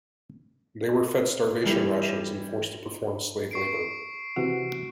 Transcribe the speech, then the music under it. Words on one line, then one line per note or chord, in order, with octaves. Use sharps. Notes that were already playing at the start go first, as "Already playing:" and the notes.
They were fed starvation rations and forced to perform slave labor.
E3 G3 E4
C#6 C7 D7
C3 E3 F#4 F#5